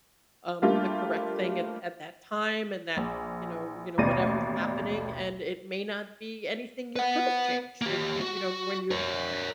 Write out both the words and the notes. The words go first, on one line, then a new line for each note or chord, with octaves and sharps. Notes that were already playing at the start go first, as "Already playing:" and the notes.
um, the correct thing at at that time and that, you know you know whatever's happening, and it may not be anything you could've changed that, you know when you're
G3 A3 A#3 D4 F4 G4
A#1
A1 D#2 B2 D5 A#6 D#7
B4 F#5
A#3 G4
F#4
A#4 C#5